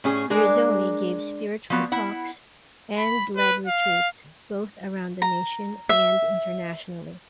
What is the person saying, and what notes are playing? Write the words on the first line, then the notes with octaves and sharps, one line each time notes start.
Girzone gave spiritual talks and led retreats, both around the nation and internationally.
A2 C#4 G#4
G#3 D4 G#4 A#4
F3 F#3 B3
E4 F#5
B5
B4
F5
A#5
E5